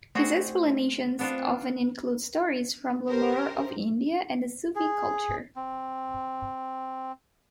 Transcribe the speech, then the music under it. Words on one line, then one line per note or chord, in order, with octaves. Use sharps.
His explanations often include stories from the lore of India and the Sufi culture.
A3 C4 F#4 G#4
B3 C4 D4 F4
G4 A#4 C5
G#4
C4